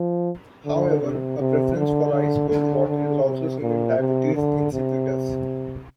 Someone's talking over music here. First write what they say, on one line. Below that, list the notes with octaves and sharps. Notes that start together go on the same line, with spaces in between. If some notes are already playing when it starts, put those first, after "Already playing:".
However, a preference for ice-cold water is also seen in diabetes insipidus.
Already playing: F3
D3
C3
C3
D3
D3
D3
D3
C3
A#2
C3
D3
C3